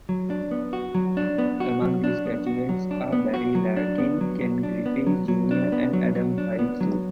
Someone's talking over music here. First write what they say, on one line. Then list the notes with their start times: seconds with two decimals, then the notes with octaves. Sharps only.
Among these graduates are Barry Larkin, Ken Griffey, Junior and Adam Hyzdu.
0.09 F#3
0.30 D4
0.51 B3
0.73 F#4
0.95 F#3
1.17 D4
1.38 B3
1.60 F#4
1.82 F#3
2.04 D4
2.26 B3
2.47 F#4
2.69 F#3
2.91 D4
3.12 B3
3.34 F#4
3.55 F#3
3.76 D4
3.98 B3
4.21 F#3
4.42 F#3
4.63 D4
4.86 B3
5.07 F#3
5.28 F#3
5.51 D4
5.72 B3
5.93 F#3
6.16 F#3
6.38 D4
6.59 B3
6.81 F#3